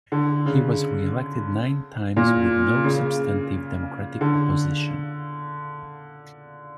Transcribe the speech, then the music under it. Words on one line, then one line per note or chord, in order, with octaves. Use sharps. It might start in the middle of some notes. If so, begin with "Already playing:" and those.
He was reelected nine times with no substantive Democratic opposition.
D3
C#3
A#2
C#3
D3